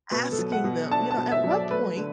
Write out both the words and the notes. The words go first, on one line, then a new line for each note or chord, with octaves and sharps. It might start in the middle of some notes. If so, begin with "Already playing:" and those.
asking them, you know, "At what point
B2 B4
A4
F#3
F#5
B2
D4 A5
A5
B2
E5
F#3
D5
A3 B4
D3